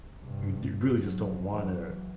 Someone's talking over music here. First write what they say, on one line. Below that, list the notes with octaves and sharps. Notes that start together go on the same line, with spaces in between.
you d you really just don't wanna
G2 C3
F#3
E3 F#3